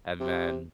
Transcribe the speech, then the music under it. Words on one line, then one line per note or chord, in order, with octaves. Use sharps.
and then
C3